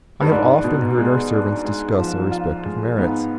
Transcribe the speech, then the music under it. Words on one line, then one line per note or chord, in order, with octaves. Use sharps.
I have often heard our servants discuss our respective merits.
G2
G#2 D4
B2
G#3
D4
G#3
F3
F4
G#3
G#2 B3